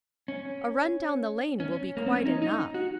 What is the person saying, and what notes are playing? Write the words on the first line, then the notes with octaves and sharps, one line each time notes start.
"A run down the lane will be quite enough."
C#4
C#4
A#3
C4
C#4
D#4
D#4
F#4